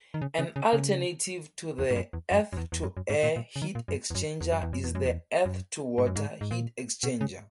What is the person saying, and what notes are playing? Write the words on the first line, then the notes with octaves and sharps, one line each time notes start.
An alternative to the earth-to-air heat exchanger is the earth-to-water heat exchanger.
D#3
C#3
C#3
C#3
C#3
E2
G#2
F#2
E2
F#2
F#2
E2
E2
F#2
F#2
G#2
A#2
A#2
C#3
D#3
A#2
F#2
E2
F#2
E2
F#2
E2
F#2
E2
F#2
E2
F#2
G#2
F#2
G#2
G#2
A#2
B2
C#3